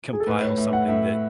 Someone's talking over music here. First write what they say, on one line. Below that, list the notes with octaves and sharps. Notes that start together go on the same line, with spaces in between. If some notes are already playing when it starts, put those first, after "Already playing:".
compile something that,
G#4
A4
A2 B4
C#5
A2 E5
F#5
A2 E5